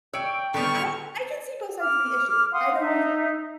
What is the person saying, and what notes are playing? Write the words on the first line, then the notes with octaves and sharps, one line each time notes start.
I I can see both sides of the issue. I don't
C#5 D5 G5 E6 D7
D3 D#3 G3 B3 C#6 F6
D6 F6
F5 F#5 C6 D#6
D#4 E5